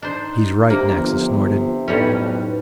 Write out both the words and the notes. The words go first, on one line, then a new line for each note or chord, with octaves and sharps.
"He's right," Naxa snorted.
D4 D#4 C5
G2 C3 A#3 C5
G1 F3
B1 F2 A2 G3 C#4 B4